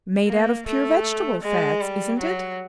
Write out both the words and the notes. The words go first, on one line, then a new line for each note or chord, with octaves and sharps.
"Made out of pure vegetable fats, isn't it?"
A#3
A3
G#3
G3
F#3